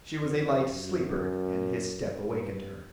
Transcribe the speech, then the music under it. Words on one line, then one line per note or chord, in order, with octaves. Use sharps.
She was a light sleeper, and his step awakened her.
F2
F#2
G2